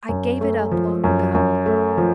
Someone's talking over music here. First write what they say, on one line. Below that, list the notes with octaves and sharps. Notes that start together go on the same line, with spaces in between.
I gave it up long ago.
F#2
A3
F3
F#2
F#2
A3
F3